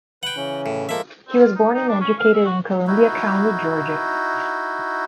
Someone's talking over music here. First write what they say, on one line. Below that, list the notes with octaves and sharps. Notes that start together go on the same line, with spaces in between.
He was born and educated in Columbia County, Georgia.
B4 F#5 G5
C#3 E3 C#4
A2
F3 G#3 A#3 A4 E5
C4
F4
D#4
D#4
D4
C#4
F5
E5
F#4
D#4 E4 F#4